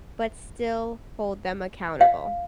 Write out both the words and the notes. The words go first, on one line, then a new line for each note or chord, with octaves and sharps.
but still hold them accountable.
F5